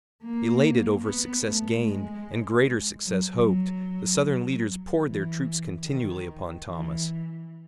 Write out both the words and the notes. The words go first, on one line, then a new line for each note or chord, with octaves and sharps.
Elated over success gained and greater success hoped, the Southern leaders poured their troops continually upon Thomas.
A#3
B3
A3
G#3
F#3
F#3
E3
D#3
E3